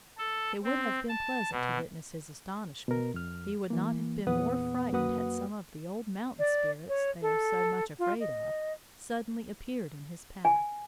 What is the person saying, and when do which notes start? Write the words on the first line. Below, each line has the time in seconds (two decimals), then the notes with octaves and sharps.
It would have been pleasant to witness his astonishment; he would not have been more frightened had some of the old mountain spirits they are so much afraid of suddenly appeared in his path.
0.18 A4
0.64 C4
1.09 A5
1.52 B2
2.88 B2 A#4
3.14 F2 F6
3.70 E3 A#3
4.27 E2 A#2 B3 B4 F#5 D#6
4.93 F#2 A#3 F#4 B4 F#5 D#6
6.39 D5
6.89 C#5
7.22 A4
7.99 F4
8.20 D#5
10.45 G#5